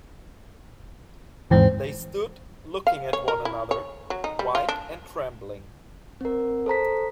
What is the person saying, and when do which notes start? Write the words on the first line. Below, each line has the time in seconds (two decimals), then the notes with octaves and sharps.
They stood looking at one another, white and trembling.
1.51 D#2 G#2 E3 C4
2.87 F5
3.13 C#5
3.28 A#4
3.45 E4
3.71 C#5
4.10 F#3
4.24 D#4
4.39 G3
4.55 F4
4.69 D4
6.21 C4 A#4
6.66 A4 C5 A#5 B6